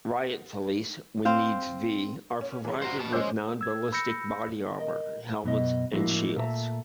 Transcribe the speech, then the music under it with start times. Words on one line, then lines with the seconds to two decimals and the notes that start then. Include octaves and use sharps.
Riot police, when needs be, are provided with non-ballistic body armour, helmets and shields.
1.25 C4 C5 F5
2.41 C#4
2.65 E3 G#3 C#4
2.82 G2 F#4 C5 A#5
2.99 B3 A5
3.12 D2 G#3 C#4 C5 D6 E6 G6
3.61 E6 G#6
3.92 B5 E6 G6 A#6 C#7
4.78 A#4 D#5
5.43 F#2 B2 D#5
5.93 A2 F3 G#3 A#3 E4 F#4
6.36 A#2 A3 E5 A5 A#5